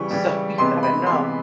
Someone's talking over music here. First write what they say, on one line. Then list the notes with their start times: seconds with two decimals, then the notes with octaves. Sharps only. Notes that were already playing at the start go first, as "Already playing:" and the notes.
So you gotta know
Already playing: C#3 E3 G3 C#6
0.11 C#3 E3 G3
0.58 C3 E3 G#3 B3 C6
0.83 B5
1.06 C3 E3 G#3 B3 C6